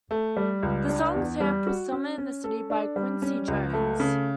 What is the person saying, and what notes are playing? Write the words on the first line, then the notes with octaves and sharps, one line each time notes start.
The song samples Summer in the City by Quincy Jones.
A3
G3
C#2
D4
E2
G3
F#4
C#4
C#4
A4
D4
G3
C#4
C#2
A3
C#3